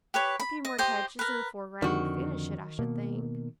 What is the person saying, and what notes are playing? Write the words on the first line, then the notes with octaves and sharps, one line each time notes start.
'A few more touches in the foreground will finish it, I should think.
G4 B4 C#5
B5
D#5
G4 C5 D#5
A#4 B4
F2 D3 D#3 F#4
B2 A#3